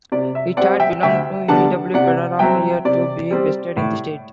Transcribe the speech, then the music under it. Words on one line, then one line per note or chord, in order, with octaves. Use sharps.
It had belonged to E. W. Perera prior to being vested in the state.
C3 D5
E5
G3 C4 D5 F#5
E5 G5
D2 E5 G5
D3 G3 B3 D4 F#5 A5
C3 D5 F#5
F#3 C4 E5 G5
C3 D5
G3 C4
A2